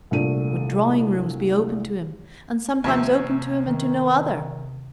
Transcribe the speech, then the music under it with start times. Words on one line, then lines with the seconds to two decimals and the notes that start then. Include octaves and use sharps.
Would drawing-rooms be opened to him, and sometimes opened to him and to no other?
0.11 C2 A#2 A3 D4 D#7
2.84 D#2 C3 F3 E5
3.65 D#3